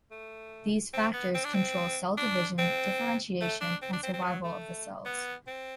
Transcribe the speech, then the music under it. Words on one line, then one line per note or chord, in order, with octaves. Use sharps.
These factors control cell division, differentiation, and survival of the cells.
A3
C4
B3
C4
D4
C4
D4
C4
A3
D4
C4
D4
C4
C4
F#3
A3
B3
C4